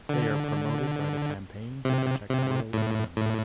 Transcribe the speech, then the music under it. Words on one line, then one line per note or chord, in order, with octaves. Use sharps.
They are promoted by the Campaign to Protect Rural England.
D3
C3
C3
A2
A2